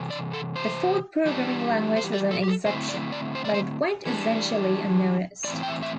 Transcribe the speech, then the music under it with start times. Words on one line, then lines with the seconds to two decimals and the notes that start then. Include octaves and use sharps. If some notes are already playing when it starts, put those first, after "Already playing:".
The Forth programming language was an exception, but it went essentially unnoticed.
Already playing: C3 E3
0.10 D5
0.33 A4
0.56 C5
1.26 E3 G3 D4
1.96 C5
2.13 D5
2.31 A4
2.44 G4
2.48 A4
2.65 D3 A3 C4 E4 C5
2.89 D5
3.12 D5
3.35 C5
3.45 D5
3.54 C5
4.06 E3 G3 D4
5.44 A2 D5
5.47 E3 C4
5.63 G5
5.68 E5
5.82 E5